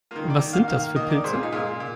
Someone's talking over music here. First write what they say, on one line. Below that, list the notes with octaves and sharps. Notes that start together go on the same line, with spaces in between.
Was sind das für Pilze?
D#3 A#3 F4
D5
D#3 A#3
F5
D#3 A#3 F5
D#3 A#3 D#5
D5
A#2 G#3 C5
F4
D#4
A#2 G#3 F4
A#2